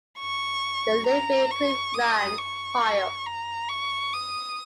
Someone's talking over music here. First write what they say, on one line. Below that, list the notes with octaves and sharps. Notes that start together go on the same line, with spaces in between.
They live in Cleveland, Ohio.
C#6
A#5
C#6
D#6
C#6
A#5
C#6
D#6